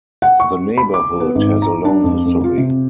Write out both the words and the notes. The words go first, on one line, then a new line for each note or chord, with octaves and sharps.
The neighbourhood has a long history.
F#5
C#6
B5
D6
B3
G#1
A#5
D4
F2
F2
F4
C3